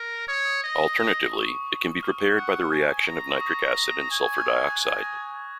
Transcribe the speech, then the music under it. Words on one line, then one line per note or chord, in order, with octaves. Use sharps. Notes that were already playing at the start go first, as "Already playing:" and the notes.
Alternatively, it can be prepared by the reaction of nitric acid and sulfur dioxide.
Already playing: A#4
C#5 D#6
D#6
D#5
C#6
D#6
C#6
F6
F#5
G#5 F6
A#5
C#6
D#6
G#5
F6
D#6
F#6
G#6
A#6